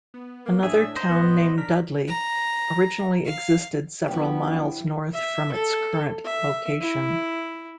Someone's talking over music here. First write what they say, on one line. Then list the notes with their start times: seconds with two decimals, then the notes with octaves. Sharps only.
Another town named Dudley originally existed several miles north from its current location.
0.14 B3
0.46 A#3
0.63 A2 D4 G#4 E5
0.96 D#4 C5 D#5
1.09 A2 B3
1.58 D4 A#4 B6
2.08 A#5
3.26 F5
4.08 F3 B3 D4 E4 G4
5.13 E5
5.52 A4
6.24 E5
6.80 E4